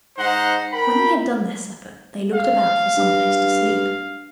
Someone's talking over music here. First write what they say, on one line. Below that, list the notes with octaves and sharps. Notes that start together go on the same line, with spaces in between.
When they had done their supper they looked about for some place to sleep.
G#2 D#4 C5 F#5 A#5
A#4 G5 B5
F5
G2